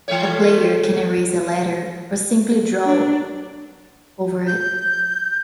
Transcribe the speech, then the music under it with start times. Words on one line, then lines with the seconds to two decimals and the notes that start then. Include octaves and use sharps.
A player can erase a letter or simply draw over it.
0.08 E3 A3 C#5
2.85 D4
4.47 G6